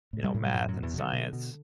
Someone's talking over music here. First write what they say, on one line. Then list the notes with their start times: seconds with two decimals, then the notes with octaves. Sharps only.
you know, math and science.
0.13 A2
0.24 G2 G3
0.34 A2
0.46 G3
0.53 F#2 B2 F#3
0.68 F#2 F#3
0.74 B2
0.83 E2 E3
0.94 B2 D3
1.13 B2
1.33 B2